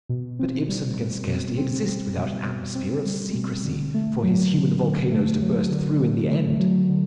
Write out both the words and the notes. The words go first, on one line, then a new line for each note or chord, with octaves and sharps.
But Ibsen can scarcely exist without an atmosphere of secrecy for his human volcanoes to burst through in the end.
B2
C4
G3
B2
B2
C4
G3
B2
B2
C4
G3
B2
D3
A3
F#3
D3
D3
A3
F#3
D3
D3
A3
F#3
D3